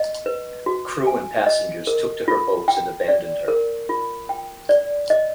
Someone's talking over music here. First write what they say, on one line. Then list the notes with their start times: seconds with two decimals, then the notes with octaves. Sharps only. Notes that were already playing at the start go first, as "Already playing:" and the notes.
Crew and passengers took to her boats and abandoned her.
Already playing: D#5
0.26 B4
0.66 F#4
1.07 G#5
1.46 D#5
1.87 A#4
2.28 F4
2.68 G5
3.08 D5
3.48 A#4
3.89 F4
4.29 G5
4.69 D5
5.10 D#5